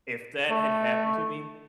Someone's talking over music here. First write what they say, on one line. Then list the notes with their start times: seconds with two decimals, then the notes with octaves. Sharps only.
if that had happened to me
0.51 A3